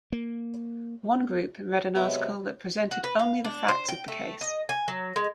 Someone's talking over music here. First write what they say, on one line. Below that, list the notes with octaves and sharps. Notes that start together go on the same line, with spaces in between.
One group read an article that presented only the facts of the case.
A#3
C3 F#3 G#3 B3 E4 C#5
F#4
B4
F5
D4
C5
G5
A3
D#5
G#5
F#3
G#3